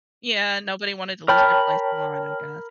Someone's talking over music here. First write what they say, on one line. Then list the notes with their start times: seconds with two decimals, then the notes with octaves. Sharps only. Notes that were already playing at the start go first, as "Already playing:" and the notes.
Yeah. Nobody wanted to lose their place in line, I guess.
1.28 A#4 C#5 G5 A5 B5 F6